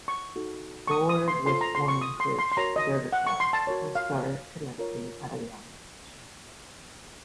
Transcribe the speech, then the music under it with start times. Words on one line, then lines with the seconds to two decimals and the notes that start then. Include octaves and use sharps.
Bower was born in Crich, Derbyshire and started collecting at a young age.
0.08 C#6
0.36 D#4 F#4 A4
0.87 C#6
0.91 D#6
1.09 D#6
1.28 C6
1.46 F4 A4 C5 C6
1.61 A#5
1.75 C6
1.88 C#6
2.01 D#6
2.20 C6
2.39 C6
2.52 C6
2.57 F#4 A#4 C#5 A#5
2.76 D#5
3.13 F#5
3.27 C#6
3.40 C6
3.53 A5
3.67 F#4 A#4 C#5
3.95 F5
4.78 F4 A#4 C#5